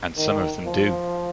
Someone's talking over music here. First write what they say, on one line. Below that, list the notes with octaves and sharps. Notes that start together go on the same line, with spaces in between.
And some of them do.
D#3
F3